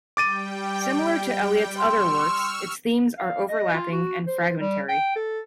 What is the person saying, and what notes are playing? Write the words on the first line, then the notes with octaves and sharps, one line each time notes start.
Similar to Eliot's other works, its themes are overlapping and fragmentary.
G3 G5 D6 A6 D#7
C6 C#6 E6 F6
F5
D#5
F4
F#4
C5
G3
G5
A4